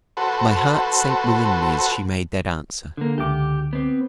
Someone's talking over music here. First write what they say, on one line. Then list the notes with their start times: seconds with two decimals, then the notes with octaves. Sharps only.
My heart sank within me as she made that answer.
0.17 F#4 A4 B4 C5
2.97 D3 A#3
3.18 C#2 D3 G4 D6
3.73 B3 C4